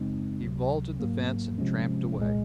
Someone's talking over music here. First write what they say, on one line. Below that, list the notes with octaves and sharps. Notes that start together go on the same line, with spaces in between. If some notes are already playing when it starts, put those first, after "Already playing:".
He vaulted the fence and tramped away.
Already playing: F#2 C#3 G#3 C4 D#4
C#2 C3 F#3
G#2 F#3 A#3
C3 F3 G#3 C#4
C2 A#2 G#3